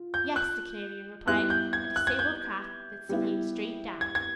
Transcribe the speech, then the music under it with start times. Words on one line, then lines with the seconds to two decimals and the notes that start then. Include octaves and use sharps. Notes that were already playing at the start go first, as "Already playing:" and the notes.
"Yes," the Canadian replied, "a disabled craft that's sinking straight down!"
Already playing: F4
0.14 G6
0.36 F#6
1.27 G3 B3 E4 F#6
1.50 G6
1.73 G#6
1.96 F#6
2.07 G#6
2.19 G6
3.09 G3 B3 E4
4.01 G#6
4.15 G#6